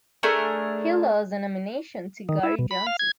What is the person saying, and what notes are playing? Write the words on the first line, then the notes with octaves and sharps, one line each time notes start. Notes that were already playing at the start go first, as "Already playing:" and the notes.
He lost the nomination to Gary Johnson.
A3 D4 G#4 A#4
D#3
E4
B2
B5
F5
G#6